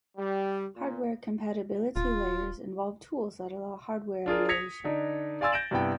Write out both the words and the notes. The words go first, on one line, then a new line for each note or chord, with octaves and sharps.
Hardware compatibility layers involve tools that allow hardware emulation.
G3
A#2
D#1 F4
D4 F4 G#4 A#4
D#6 G#6 A#6 B6 C#7 F7
D3 D4 D#4
D5 F5 G#5 C6 E6 A6
G6 A#6 D7 E7 F#7
G2 C3 B3 E4 G5